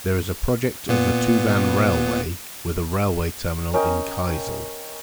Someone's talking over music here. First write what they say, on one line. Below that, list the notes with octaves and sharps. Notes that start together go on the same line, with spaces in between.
There is a project of the Tuvan Railway with a railway terminal in Kyzyl.
A#2 B3
C#4 A#4 D#5 G5